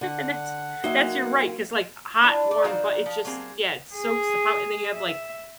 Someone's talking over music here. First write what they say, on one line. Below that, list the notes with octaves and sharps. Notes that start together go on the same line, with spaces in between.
And that's that's you're right, 'cause like hot, warm bu it just, yeah, it soaks the po and then you have, like,
D3 F#5
F#3 A#3 D#4 F#4 E5
D4 E4 F4
D5
D#3 D#4 F#4 C5 D5 F5
F3
F#3 A#3 C4 G#4
G#4
E5